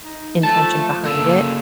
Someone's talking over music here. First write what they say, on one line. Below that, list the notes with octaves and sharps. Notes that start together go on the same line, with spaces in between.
intention behind it,
D#4
F3 A3 A5
C#3 A#3 A4